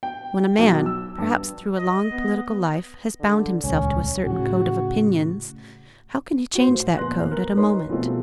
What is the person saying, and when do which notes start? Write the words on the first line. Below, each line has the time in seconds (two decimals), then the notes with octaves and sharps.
When a man, perhaps through a long political life, has bound himself to a certain code of opinions, how can he change that code at a moment?
0.03 G5
0.58 B1
0.86 E6
1.18 G2
1.77 D#5
2.09 B3
3.20 D3
3.64 D#1 C#2 C#4
4.26 A2 C#3 F#4
6.55 F#4 C5
6.68 A2
6.96 A#1 B3 B4 C6 F#6 A#6
7.31 A#4
7.57 D#4 B4 C#5 C6
7.89 B2 E3 F3 G3 A3 C4